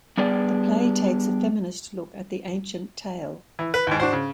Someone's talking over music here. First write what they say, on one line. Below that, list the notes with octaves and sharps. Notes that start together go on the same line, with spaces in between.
The play takes a feminist look at the ancient tale.
G3 B3 D4 G#4 D5
E3
B4
D#2 G#2
D4 F#4 C5
C#3